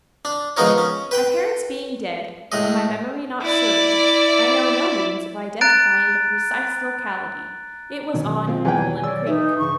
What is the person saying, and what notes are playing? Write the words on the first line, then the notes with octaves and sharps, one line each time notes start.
My parents being dead, and my memory not serving, I know no means of identifying the precise locality. It was on Nolen Creek.
D4
F3 G#3 B3 D#4 A#4 C#5
C#4
B4 G5 B5
A2 G#3 D#5
E4 D5
A#5 F#6 A6 D7
F#2 B2 D#3 F#3
C4 F4
E2 B4 G5 G#5
C#5 D5 E6
E3 D#4 E5
G2 C#3 E3 C#6